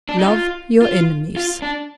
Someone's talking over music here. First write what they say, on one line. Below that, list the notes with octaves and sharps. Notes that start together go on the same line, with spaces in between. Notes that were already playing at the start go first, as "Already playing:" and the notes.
Love Your Enemies.
D4
D#4
F4
F4
F4
D4